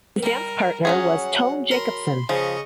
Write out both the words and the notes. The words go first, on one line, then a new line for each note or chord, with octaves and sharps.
His dance partner was Tone Jacobsen.
G3 A#4
F#3 C#4 G#4 F#5
A#4 B5 C6
C#3 F3 D#5 C#6